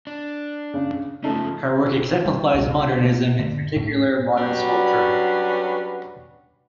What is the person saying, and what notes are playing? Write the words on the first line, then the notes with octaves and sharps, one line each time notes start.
Her work exemplifies Modernism and in particular modern sculpture.
D4
C#3
C#3 F3 A3 D#4
G3
C#2
C#3
A#3
D3
A2
F#3 G3 C#4 D4 F#4 B4